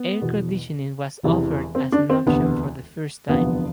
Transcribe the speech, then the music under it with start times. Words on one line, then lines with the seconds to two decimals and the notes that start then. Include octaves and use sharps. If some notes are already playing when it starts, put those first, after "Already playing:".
Air conditioning was offered as an option for the first time.
Already playing: B3
0.21 E2 B2
1.23 E1 E2 C3 E3
1.75 C4
1.92 D4
2.10 C4
2.26 E1 D2 C3 B3
3.28 E1 D2 C3 F3 B3